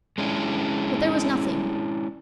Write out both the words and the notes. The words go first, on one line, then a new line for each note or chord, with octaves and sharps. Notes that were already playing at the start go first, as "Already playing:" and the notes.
But there was nothing.
G#3 C#4 D4 E4